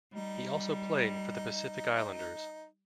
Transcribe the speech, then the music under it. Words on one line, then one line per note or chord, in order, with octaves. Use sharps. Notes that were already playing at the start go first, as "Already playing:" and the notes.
He also played for the Pacific Islanders.
G3 D#4